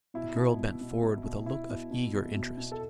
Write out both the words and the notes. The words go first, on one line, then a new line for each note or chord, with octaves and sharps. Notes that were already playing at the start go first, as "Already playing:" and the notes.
The girl bent forward with a look of eager interest.
B2 E4
B2
B2
B2
B2
B2
B2 E4
B2
B2
B2
B2
B2
A4